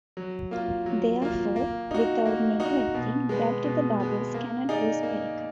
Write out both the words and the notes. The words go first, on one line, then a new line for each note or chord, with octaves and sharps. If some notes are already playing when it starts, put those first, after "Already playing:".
Therefore, without neglecting gravity the bubbles cannot be spherical.
F#3
A#3 F4
F#3
A#3 F4
A#3
D#4 F#4
A#3
D#4 F#4
B2
G#3 B3
B2
G#3 B3
A#3
D#4 G#4 D5
A#3